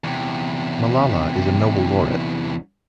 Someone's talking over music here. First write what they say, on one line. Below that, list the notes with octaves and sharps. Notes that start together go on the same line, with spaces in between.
Malala is a Nobel laureate.
E2 C3